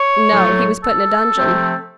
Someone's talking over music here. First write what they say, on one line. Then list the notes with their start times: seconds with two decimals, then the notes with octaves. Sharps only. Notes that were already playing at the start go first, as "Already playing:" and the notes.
"No; he was put in a dungeon."
Already playing: C#5
0.31 A2 F#3 A3
0.83 A4
1.37 C3 F3 A3 C4